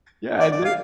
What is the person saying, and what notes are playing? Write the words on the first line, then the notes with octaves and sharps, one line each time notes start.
yeah and they
D5
D5
F5